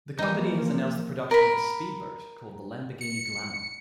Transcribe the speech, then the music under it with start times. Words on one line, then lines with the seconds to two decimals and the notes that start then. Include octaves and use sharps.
The company has announced the production of a speedboat called the Lamborghini Glamour.
0.19 E3 F3 A#3 D#4
1.31 A#4 B5
3.01 C#7